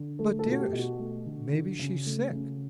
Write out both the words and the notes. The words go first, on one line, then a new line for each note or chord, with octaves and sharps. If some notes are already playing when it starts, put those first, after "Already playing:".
"But, dearest, maybe she's sick."
Already playing: D3
A3 A4
A4
B2
F#4
G4
B2
F#4
A3
D3
D3
C#3
A3
C#3